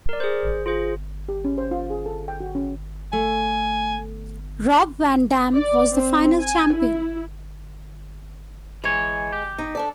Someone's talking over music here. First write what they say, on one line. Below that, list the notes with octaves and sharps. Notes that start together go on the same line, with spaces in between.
Rob Van Dam was the final champion.
A#4 D5
G#4 C5
F4 G#4 C5
G4
C#4
C5
F4
G#4
A4
G5
F#4
C#4
A3 G#5
D5
C4
G#5
E4
E3 G#3 C#5
G4
D#4
D4 A4 D5